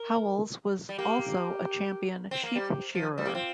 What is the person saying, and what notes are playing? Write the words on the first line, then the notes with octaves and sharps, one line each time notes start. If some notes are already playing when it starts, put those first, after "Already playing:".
Howells was also a champion sheep shearer.
Already playing: A#4
G3
A#3 G4
C4
A#3
G3 G4
F3
G3
A#3 G4
C4 F4